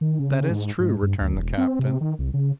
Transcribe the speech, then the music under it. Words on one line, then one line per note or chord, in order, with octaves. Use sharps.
"That is true," returned the captain.
D#3
C#3
G#2
G#2
G2
D2
E1
C4
C3
D#3
C2
C#3